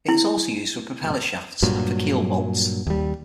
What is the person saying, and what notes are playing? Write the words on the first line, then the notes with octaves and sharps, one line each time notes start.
It is also used for propeller shafts and for keel bolts.
E4
G2 A#2 F#3
D#2 G3